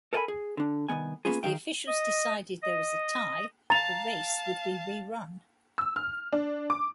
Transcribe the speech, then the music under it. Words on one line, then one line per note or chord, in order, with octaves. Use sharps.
If the officials decided there was a tie, the race would be re-run.
A4 A#4 D5 G5 G#5 B5
G#4
D3 D4
C2 G#2 D#3 B3 G#5
A#3 B3 C#4 F4 G#4
D#3 F3 D#4 G#4 F5 G5
D#5
D#5
F5 A5 A#5 A6 F7
E6
F6
D4
D6